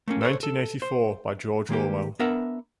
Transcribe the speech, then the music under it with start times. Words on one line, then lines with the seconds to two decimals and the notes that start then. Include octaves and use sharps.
Nineteen eighty-four by George Orwell.
0.08 A3 A#3 C#4
0.21 A4 C5 C#5
0.43 A4
0.82 C5
1.69 D#3 G#3 A#3 G4
2.19 B3 D4 A#4 E5 F#5